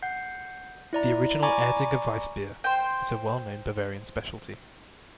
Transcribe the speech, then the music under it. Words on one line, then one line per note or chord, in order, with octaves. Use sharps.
The original Erdinger Weissbier is a well-known Bavarian specialty.
F#5 G6 C7
E4 D5 A#5
D5 G#5 A#5 B5 C#6 D6
C5 G5